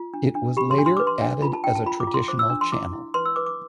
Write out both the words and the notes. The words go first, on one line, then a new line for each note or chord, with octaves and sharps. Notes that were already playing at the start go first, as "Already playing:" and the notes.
It was later added as a traditional channel.
Already playing: F4
D4
D4
G4 B5
C6
D4
C6
B4 D6
C6
D4
F4 B5
A5
D4 G5
A5
F4 B5
D6
F4
C6
C5 D6
E6
D4
C6
E4 D6
E4
B4 C6
E6
B4 D6
D6